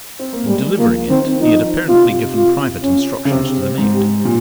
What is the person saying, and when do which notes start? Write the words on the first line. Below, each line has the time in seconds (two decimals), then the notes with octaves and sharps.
In delivering it he had apparently given private instructions to the maid.
0.19 C4
0.33 A#3
0.46 G3 G#3
0.78 F3 A#3
1.09 D#3 C4
1.41 F3 D#4
1.88 C3 F4
2.36 F4
2.83 C#4
3.25 C#3
3.31 C3 C4
3.61 C4
3.78 G#2
3.93 G4
4.25 A#2